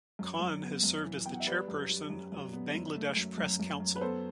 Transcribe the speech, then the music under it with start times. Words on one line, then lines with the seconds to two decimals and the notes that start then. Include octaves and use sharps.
Khan has served as the Chairperson of Bangladesh Press Council.
0.19 F#2
0.40 F#2
0.62 B3
0.83 F#2
1.04 E3
1.26 B3 G5
1.33 F#5
1.40 E5
1.46 G3 B4 D5
1.68 F#2
1.89 G3
2.10 F#2
2.32 F#2
2.53 B3
2.75 F#2
2.96 A3
3.17 F#2
3.38 F#2
3.60 F#2
3.80 F#2
3.96 B4
4.01 B3 A4 C5